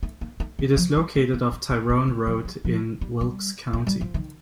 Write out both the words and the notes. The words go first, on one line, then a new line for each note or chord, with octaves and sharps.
It is located off Tyrone Road in Wilkes County.
A3
A#3
A3
D#3
F3
G3
A3
A#3
A3
A#3
A#3
A3
F3
F3
G3
F3
G3
G3
A3
G3
F3
D#3